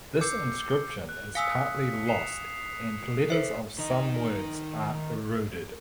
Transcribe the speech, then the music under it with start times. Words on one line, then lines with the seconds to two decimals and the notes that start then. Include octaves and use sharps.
This inscription is partly lost and letters of some words are eroded.
0.21 D6 E6 G6 C7 C#7
1.09 F#6
1.35 F5 G#5 D#6 E6 B6 C#7
2.08 C7 E7 F7
3.30 A4 C5 E5 C7
3.79 D#3 D#4